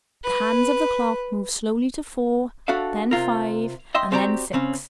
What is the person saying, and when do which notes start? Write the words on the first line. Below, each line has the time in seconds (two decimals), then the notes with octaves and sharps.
The hands of the clock moved slowly to four, then five and then six.
0.24 B4
2.68 D4 F#4 A4 E5 F5
3.11 C3 F4 A#4
3.95 D#5 E5 G5 C6
4.12 C4 F#4 G4 D5 A#5
4.53 C#3 C4 C#4